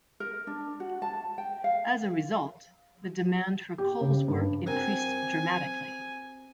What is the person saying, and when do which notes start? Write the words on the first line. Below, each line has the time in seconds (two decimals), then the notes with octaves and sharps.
As a result, the demand for Cole's work increased dramatically.
0.20 A#4
0.47 D4
0.80 F#4
1.02 A5
1.38 G5
1.64 F5
3.78 G4
4.01 C#3
4.28 G2
4.67 C4 F#4 A#4 G#5